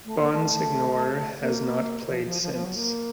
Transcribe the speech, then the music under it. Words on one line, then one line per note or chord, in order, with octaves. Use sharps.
Bonsignore has not played since.
A3
A#3
A3
A#3
F3
F3
F3
F3
F#3
A#3